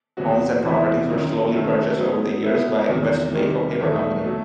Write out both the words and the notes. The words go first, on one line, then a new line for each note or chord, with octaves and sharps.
Homes and properties were slowly purchased over the years by Westvaco paper company.
E2 B2 F#3 B3 F#4
E2 C3 E3 B3 E4
F#2 D#3 F#3 C4 D#4
F#2 D#3 F#3 A3
F#3 B3 D#4
F#3 B3 E4
E2 C3 D#3 F#3
C3 D#3 G3
E2 B2 F#3 A3 D#4
F#3 A3